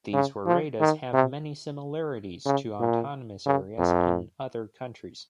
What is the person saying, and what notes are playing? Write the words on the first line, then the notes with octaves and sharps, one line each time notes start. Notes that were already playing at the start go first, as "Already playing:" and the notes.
These "woredas" have many similarities to autonomous areas in other countries.
C#3
F3
D#3
C3
C#3
A#2
C#3
F2